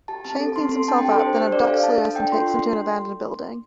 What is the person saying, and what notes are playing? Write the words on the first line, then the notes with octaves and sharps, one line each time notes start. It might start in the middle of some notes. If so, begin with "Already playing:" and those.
Shame cleans himself up, then abducts Luis and takes him to an abandoned building.
G4 A5
C4 A5
A4
C4 C6
A4 C6
D4 A5
G5
G4
A4
D4 C5
G4 C5
D4 D5
A4 F5
D4 A5
A4
D4 G5
F4 A4 C6
D4 C6